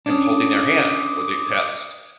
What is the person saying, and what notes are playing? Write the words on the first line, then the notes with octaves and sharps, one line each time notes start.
and holding their hand when they passed.
C#4 D4 D6 D#6